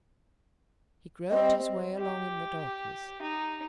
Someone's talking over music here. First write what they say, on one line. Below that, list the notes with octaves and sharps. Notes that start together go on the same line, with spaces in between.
He groped his way along in the darkness.
G3 C4 D#5
G4
D#4